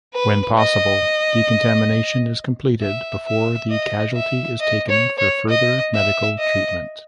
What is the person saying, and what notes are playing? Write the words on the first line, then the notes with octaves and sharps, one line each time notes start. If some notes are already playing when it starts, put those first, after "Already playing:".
When possible, decontamination is completed before the casualty is taken for further medical treatment.
B4
D#5
E5
E5
D#5
E5
D#5
C#5
C#5
D#5
E5
D#5